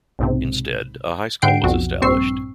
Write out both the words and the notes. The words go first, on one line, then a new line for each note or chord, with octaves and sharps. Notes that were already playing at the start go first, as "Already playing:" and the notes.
Instead, a high school was established.
B1 G#2 C3
G#2 D3 F#5 G5 C7 D7
B1 F2 F#4
A#1 G2 C4 C#6 E6 C7